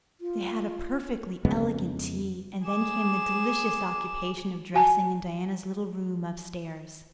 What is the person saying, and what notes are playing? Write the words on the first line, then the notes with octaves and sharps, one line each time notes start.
They had a "perfectly elegant tea;" and then came the delicious occupation of dressing in Diana's little room upstairs.
F4
F2 C#3 G#3 B3
G#4 D6 E7
F#4 G#5 A5